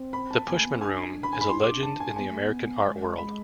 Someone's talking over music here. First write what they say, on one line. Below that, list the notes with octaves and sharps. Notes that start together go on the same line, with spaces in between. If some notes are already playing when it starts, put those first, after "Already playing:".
The 'Pushman Room' is a legend in the American art world.
Already playing: C4
B5
A5
B3 G#5
A3
B3
C4
D4 G#5
B5
G#5
B5
E4 C6
G#4 D6
D4
A5
G#5
B3 G#5
A3
B3
G#3
G#3 B5